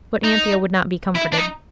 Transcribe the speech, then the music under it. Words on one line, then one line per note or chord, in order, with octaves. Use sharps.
But Anthea would not be comforted.
D#4
E4
D4
D#4